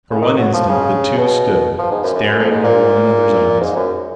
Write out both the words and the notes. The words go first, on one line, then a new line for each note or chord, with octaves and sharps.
For one instant the two stood, staring into one another's eyes.
C#3
D#3
F#3
F3
C#3
B2
F3
G#2
F#2
F#2
F#2
F2
G#2
A#2
G#2
F#2